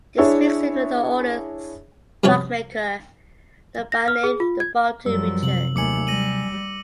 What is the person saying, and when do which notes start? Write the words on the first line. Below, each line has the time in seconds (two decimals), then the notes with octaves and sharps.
This makes him the oldest clockmaker known by name in the Baltic region.
0.18 D4 E4 G#4 C#5 E5
2.24 G2 C3 F3 C#4 C#5
3.92 A#6
4.08 F6
4.24 G#4
4.40 F4
4.60 G#6
5.06 F#2 F3 G3 E6
5.43 C3 F#7
5.76 D#2 F#3 A3 G#5 D6 C#7 F#7
6.07 G3 A#6 D#7 F#7